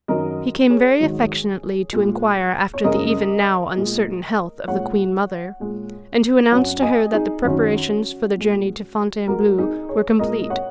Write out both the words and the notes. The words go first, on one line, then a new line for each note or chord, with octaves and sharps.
He came very affectionately to inquire after the even now uncertain health of the queen-mother, and to announce to her that the preparations for the journey to Fontainebleau were complete.
F#2 D#3 F#3 A#4 D#5
G#4 C#5
G#2 D#3 F#3
A#2 G#3
C#5
F#2 C#3 G#3 A#4 D#5
A#2 G#3
A#2 G#3 C#5 F#5
A#2 G#3
F#2 F#3 C#5 F#5
D#5 G#5
D#4 G#4
F#2 D#3 F#3 C#4 F#4
A#2 G#3
G#2 G#3 F#4 A#4
D#4 G#4
G#4 C#5
A#2 G#3 A#4 D#5
C#5 F#5